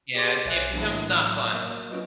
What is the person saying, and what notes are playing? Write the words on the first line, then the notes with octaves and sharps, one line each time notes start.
Yeah. It becomes not fun.
G4 G#4 B4 C#5 C6 D6
B1 C#5 E5 G#5 F#6
A2 E3 F#3 A#3 D4
F#3 A#3
C#4 F4 F#4 B4 D#5